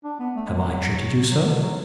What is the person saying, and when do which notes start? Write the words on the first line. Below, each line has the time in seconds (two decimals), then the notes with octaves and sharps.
"Have I treated you so?"
0.04 D4
0.19 B3
0.36 A3
0.46 G#3
0.56 F#3
1.31 F#3
1.47 D3
1.62 F#3